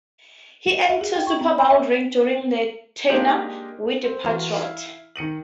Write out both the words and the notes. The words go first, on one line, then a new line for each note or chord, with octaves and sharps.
He earned two Super Bowl rings during his tenure with the Patriots.
E5
G#4
G5
C#6
C4
B5
E5
G#3 A#3 D4 D#4 F4 G4
C4
E3 F4 F#4
E4 F5
D#3 C#7 D#7 F#7